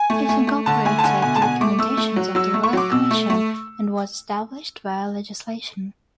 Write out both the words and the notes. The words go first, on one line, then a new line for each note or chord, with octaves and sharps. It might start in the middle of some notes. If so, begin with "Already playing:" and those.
It incorporated the recommendations of the Royal Commission and was established via legislation.
Already playing: G#5
A3
A3
A3
D3 A5
A3 G#5
A5
D3 G#5
B2 G#5
A5
B2 G#5
A3 D6
A3 E6
A3
F#3
F#3 E6
A3
C#6
F#3 D6
B2 E6
A3
A3